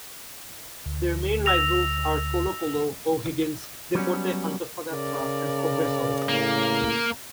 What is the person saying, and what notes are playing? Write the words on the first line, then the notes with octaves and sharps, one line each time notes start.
Their main rivals are Colo-Colo, O'Higgins, Deportes Antofagasta and Cobresal.
D2
E6 A#6 F7
F#3 G3 B3 C#4
C#3 A#4 D5
A2 A#3